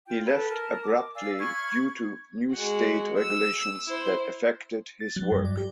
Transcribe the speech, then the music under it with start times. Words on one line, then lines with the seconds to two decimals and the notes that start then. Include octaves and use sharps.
He left abruptly due to new state regulations that affected his work.
0.06 F4 G5
0.25 A4 B4
0.48 A#4 A5
0.82 D6
1.14 D5 F5 G#5 E6
1.39 B5 C#6 F6 G#6
2.52 G#3 F#4
3.19 E6
3.87 E4 C5
5.00 A6
5.16 F#3
5.32 G2
5.45 D5
5.57 G4